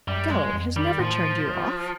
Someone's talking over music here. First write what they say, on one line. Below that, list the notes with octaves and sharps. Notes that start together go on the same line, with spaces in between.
"Galloway has never turned you off!"
F#2 G3
G3 G#3
F2
D#3 G3
A2 F3